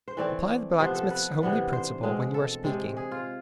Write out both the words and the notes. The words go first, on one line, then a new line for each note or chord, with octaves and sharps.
Apply the blacksmith's homely principle when you are speaking.
C5
E3 A3 C4 D5
C3 F3 B3 C5
A4
B4
C3 E3 B3 D4
C5
B2 G#3 C4
A4
C3 G#3 C4
G#4
F4